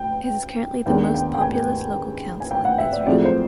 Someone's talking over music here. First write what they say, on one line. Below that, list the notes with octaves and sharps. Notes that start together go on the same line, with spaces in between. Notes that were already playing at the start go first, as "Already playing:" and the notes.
It is currently the most populous local council in Israel.
Already playing: G5
D#2 D#3 G#3 B3 D4 G5
G5
G5
G#5
G#5
G5
F#5
E5
D5
B1 A2 F3 G#3 C4 D5
C5